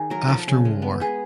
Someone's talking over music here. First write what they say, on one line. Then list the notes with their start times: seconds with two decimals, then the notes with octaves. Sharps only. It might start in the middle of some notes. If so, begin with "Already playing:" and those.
After war.
Already playing: D#3 G#4
0.10 F#3 A#4
0.28 F3 A4
0.47 C#3
0.65 G#3
0.82 B3
1.00 B3 G#4